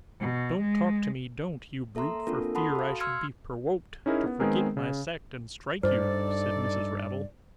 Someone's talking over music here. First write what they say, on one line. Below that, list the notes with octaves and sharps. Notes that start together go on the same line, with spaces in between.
'Don't talk to me, don't, you brute, for fear I should be perwoked to forgit my sect and strike you!' said Mrs. Raddle.
B2
G#3
A#3 A4 E5 A#5 C6
A#3 C4 D4 F4 A4 A#4
A4 F#5 A5 B5 C6 D#6
F#4 F5
C6 E6 F6 G#6 C#7
C#4 D#4 E4 G#4 A#4
B3
D#3 G#3 B3 C4 G#4 A#4
C#3
G2 D#4 A4 C5 D5